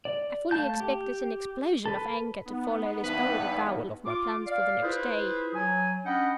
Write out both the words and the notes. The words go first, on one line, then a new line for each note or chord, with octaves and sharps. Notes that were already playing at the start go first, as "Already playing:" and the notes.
I fully expected an explosion of anger to follow this bold avowal of my plans for the next day.
D5
A3 F5 A5 G6
G4
A4 B4
B3 D#4
E2 G2 B4
F4 D6
D5 F5
E4 F4 G#4 B4 C5
F#3 G#5
C#4 D4 D#5 F#5 G5 B5